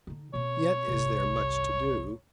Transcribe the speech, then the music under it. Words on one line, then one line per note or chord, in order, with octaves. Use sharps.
Yet is there much to do.
D3 D#4
B2 C4 C#5
G1 C2